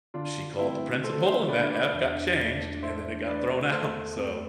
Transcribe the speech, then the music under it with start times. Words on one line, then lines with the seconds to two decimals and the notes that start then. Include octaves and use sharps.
she called the principal, and that F got changed, and then it got thrown out so,
0.14 D3 D4 F4
0.59 A3 C4 E4
1.03 A3 A4 C5
1.26 C5 E5
1.48 D4 B4 D5
1.71 B4 D5
1.93 E2
2.37 A3
2.82 E2 C5 E5
3.27 E2 B4 D5
3.72 A3 A4 C5
4.16 C4